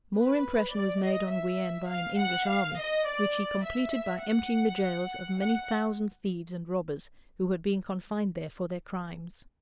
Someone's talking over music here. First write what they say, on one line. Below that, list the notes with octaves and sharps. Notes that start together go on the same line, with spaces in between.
More impression was made on Guienne by an English army, which he completed by emptying the jails of many thousand thieves and robbers, who had been confined there for their crimes.
B4
D5
D#5
E5
F5
F#5
F5
D#5
D5
E5
E5
F#5
F#5